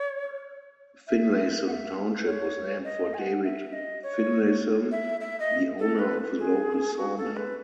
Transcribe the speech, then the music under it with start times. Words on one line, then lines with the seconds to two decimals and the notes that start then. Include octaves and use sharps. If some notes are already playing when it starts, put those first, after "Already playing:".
Finlayson Township was named for David Finlayson, the owner of a local sawmill.
Already playing: C#5
1.07 E5
1.67 F#5
1.72 E5
2.26 C#5
2.84 D#5
3.14 G#5
3.19 F#5
3.44 E5
3.73 D#5
4.03 C#5
4.92 E5
5.21 E5
5.40 D#5
5.79 A4
5.99 B4
6.39 G#4
6.97 F#4
7.17 A4
7.37 B4